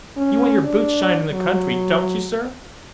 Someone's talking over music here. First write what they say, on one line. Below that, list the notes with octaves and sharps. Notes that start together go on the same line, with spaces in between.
"You want your boots shined in the country--don't you, sir?"
C#4
D4
F#3